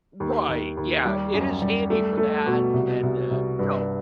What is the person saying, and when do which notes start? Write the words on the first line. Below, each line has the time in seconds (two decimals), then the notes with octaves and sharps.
Right, yeah, it is handy for that and then, uh, you know,
0.20 D#2
0.49 D#2
0.77 D#2
1.05 G3
1.34 F#2
1.62 G3
1.90 A3
2.18 A3
2.46 B2
2.74 C2
3.03 C2
3.31 C2
3.59 G2